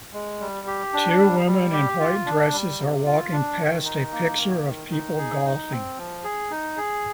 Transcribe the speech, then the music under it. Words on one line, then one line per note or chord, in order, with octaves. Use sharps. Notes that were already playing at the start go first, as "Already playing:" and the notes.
Two women in white dresses are walking past a picture of people golfing.
G#3
G3
G4
D4
G3
G3
G4
F4
D4
G3
C3
F4
D4
D#3
D#4
A#3
D#3
D#3
D#4
G#4
D#4
C4
F3
G#4
D#4
G#4